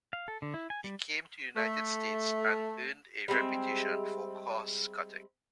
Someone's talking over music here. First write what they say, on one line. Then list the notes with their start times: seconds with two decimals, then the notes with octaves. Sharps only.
He came to the United States and earned a reputation for cost cutting.
0.13 F5
0.28 A4
0.42 D3
0.54 E4
0.70 G#5
0.84 G3
1.56 A3
3.28 G3 G#3 C4 E5